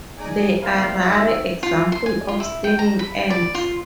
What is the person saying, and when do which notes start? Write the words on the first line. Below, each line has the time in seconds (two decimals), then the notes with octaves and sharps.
They are rare examples of stinging ants.
0.17 D#4 G#4 D5 G#5
0.62 A#3 C4 E4 A#4 C5 F5
1.05 D#3 G#3 F#4 E5
1.63 F4
1.92 C6
2.06 G#5
2.28 F4
2.40 E4
2.64 G5
2.79 A#5
2.99 B5
3.30 D5
3.55 F4